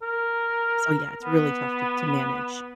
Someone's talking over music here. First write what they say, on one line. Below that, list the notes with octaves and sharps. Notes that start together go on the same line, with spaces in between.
so, yeah, it's really tough to to manage.
A#4
B3